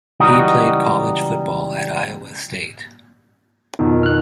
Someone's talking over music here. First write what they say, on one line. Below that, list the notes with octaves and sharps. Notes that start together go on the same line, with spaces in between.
He played college football at Iowa State.
C#2 E3 G3 D#4 F#4 D#5
F2 B2 D#3 B3 D#4
F6 F#6